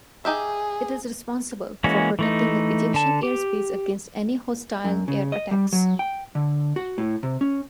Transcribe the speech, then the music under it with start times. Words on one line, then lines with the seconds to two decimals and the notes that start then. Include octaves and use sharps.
It is responsible for protecting the Egyptian airspace against any hostile air attacks.
0.25 D#4 G4 G#4 E5
1.84 E3 G#3 A#3 C#4 F#4
2.19 E3 A3 D#4
2.94 D3 A5
3.23 G4
4.85 F#2
5.08 C#3
5.32 D#5
5.51 G3
5.73 F#3
5.99 G5
6.35 D3
6.76 F#4
6.98 A2
7.23 C3
7.41 C#4